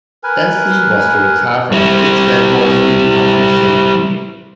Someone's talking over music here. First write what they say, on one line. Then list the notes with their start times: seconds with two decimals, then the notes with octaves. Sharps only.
Dansie was to retire from the Queensland forestry department the same year.
0.23 A#4 B4 G#5
1.72 G3 E4